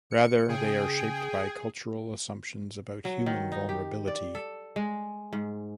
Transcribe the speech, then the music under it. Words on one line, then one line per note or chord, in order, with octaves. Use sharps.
Rather, they are shaped by cultural assumptions about human vulnerability.
C#7
C#3 G#4 G5
F#3
D#3
D#4
G4
D5
A4
G#3
G#2